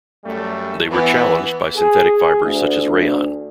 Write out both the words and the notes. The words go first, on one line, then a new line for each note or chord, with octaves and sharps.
They were challenged by synthetic fibres such as rayon.
F#2 G3 A3
E3 B3
G#4
D2